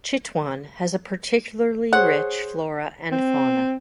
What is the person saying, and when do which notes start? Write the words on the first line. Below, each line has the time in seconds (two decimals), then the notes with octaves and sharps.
Chitwan has a particularly rich flora and fauna.
1.93 G#4 C5 C#5 F#5
3.12 C4